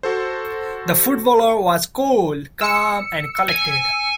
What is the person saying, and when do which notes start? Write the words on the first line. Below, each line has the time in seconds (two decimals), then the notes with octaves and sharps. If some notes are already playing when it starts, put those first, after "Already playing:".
The footballer was cool, calm and collected.
0.03 F#4 A4 C5
2.61 E6 C#7
3.49 G#5